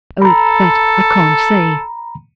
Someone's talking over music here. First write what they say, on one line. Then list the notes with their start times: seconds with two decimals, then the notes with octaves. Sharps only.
"Oh, that I can't say."
0.22 A4 A#5 B5